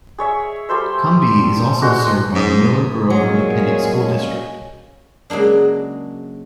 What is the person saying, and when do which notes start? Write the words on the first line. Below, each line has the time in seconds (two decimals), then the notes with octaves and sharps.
Cumby is also served by the Miller Grove Independent School District.
0.18 G#4 C#5 E5
0.69 G3 A4 C5 E5
1.81 G#3 D4 F#4 C5
2.35 G#2
3.10 A#2 F#3 G#3 C#4 G#4
5.30 C#3 F#3 G#3 A#3 D4